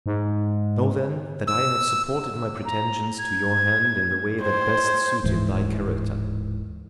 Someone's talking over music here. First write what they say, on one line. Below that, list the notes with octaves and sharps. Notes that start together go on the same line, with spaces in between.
Know then, that I have supported my pretensions to your hand in the way that best suited thy character.
G#2
E6
A#5
G#6
C5 G#6
D1 G#2 E3